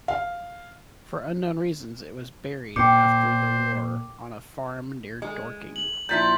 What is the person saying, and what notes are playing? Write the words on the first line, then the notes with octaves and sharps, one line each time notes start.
For unknown reasons, it was buried after the war on a farm near Dorking.
F5
A#2 C5 G5 D6 C#7
G#3
F#7
A#2 F3 E4 G6 A6 B6